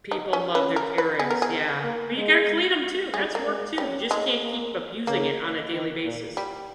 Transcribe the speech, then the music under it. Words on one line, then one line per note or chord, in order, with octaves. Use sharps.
People love their Keurigs, yeah. But you gotta clean 'em too, that's work too. You just can't keep abusing it on a daily basis.
D#4
C#4
C#4 B4
A#4
B4
B3 G#4
A#4
G#4
A#3
G#3
G3 G#4
A#3
G#3
G3 C#4
G#3
A#3
C#3 A#3
D#3
A#2
G3